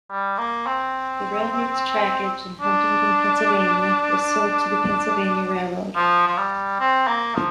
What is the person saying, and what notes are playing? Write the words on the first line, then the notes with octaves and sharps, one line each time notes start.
The railroad's trackage in Huntingdon, Pennsylvania was sold to the Pennsylvania Railroad.
G3
A#3
C4
D4
F3
F3
G3
C4
A#3
F3